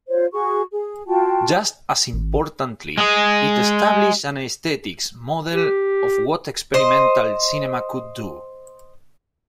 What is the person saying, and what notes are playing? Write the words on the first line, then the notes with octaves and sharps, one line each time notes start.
Just as importantly, it established an aesthetic model of what experimental cinema could do.
F4 C5 C#5
F#4 G#4 C#6
G#4
F4 F#4 G5 A5
G#1
G#3 G#4
G4
C5 D#5